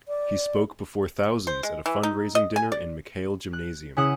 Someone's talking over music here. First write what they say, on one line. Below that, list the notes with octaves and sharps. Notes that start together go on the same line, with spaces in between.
He spoke before thousands at a fund-raising dinner in McHale Gymnasium.
D5
C5
G#3
E3
D#4
D#5
G#5
D5
F#6
C#3 E4 F#5 D#6